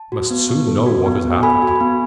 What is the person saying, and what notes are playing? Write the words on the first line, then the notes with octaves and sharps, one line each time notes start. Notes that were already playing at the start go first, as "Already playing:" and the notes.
He must soon know what has happened.
Already playing: A5
F#4
B3
B3
A4
F#4
B3
B3
A4 G#5 B5
F#4
G#5 B5
B3